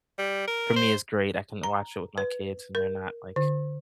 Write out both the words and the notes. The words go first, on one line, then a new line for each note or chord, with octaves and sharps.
for me is great, I can watch it with my kids and they're not, like
G3
A#4
C5
A#5
B4
A#4
D3